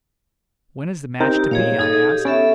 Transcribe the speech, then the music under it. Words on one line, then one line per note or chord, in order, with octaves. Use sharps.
"When is the match to be?" I asked.
C4 D#4 G4 A#4
A#2 G#4 C#5 F5
D#4 A4 D#5 G#6
G#4
G4
B3 C#4 A4 E5